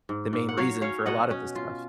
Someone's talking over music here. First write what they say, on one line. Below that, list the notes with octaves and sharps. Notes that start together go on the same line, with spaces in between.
the main reason for a lot of this stuff.
G#2
G#2
F#5
F#3 C#5 F5
C#4 C#5 F5
B2 D#5 F#5
C#4
F4